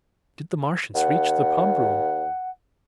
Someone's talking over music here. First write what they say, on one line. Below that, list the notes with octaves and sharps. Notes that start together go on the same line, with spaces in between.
Did the Martian reach the pump room?
D#2 F#5